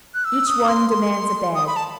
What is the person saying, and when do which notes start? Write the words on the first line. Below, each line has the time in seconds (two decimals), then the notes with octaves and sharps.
Each one demands a bed.
0.14 F#6
0.25 E6
0.47 D#6
0.68 C6
0.90 C6
1.55 D#6
1.67 B5
1.76 A5